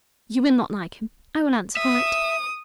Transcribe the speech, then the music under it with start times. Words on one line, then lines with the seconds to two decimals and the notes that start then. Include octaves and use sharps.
"You will not like him, I will answer for it."
1.77 E5 D#6